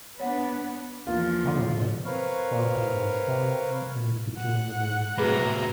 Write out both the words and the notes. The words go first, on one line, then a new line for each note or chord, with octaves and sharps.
However, Sparta was formed and it became the main focus.
B3 D4 B4 C#5 F#5
E2 F3 A#3 F4
C4 A#4 B4 C#5 F5
F#5
A2 C3 F#3 G#4 B4 A#5 B5